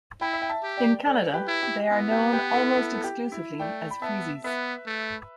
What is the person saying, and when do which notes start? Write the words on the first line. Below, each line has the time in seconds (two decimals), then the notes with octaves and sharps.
In Canada they are known almost exclusively as 'freezies'.
0.21 E4 G5 B5
0.33 E5
0.42 G5
0.49 E5 A5
0.64 G4
0.77 D5 G5
1.06 A4 D5
1.34 G4 B4
1.48 E4
1.62 G4
1.90 B3 E4
2.11 G4
2.33 G4 B4
2.54 E4 A4
2.75 E4 A4
2.95 A4
3.04 G4
3.32 E4
3.60 A3 D5 G5
3.91 B5
4.02 B3 E5 A5
4.44 B3 B4 E5
4.87 A3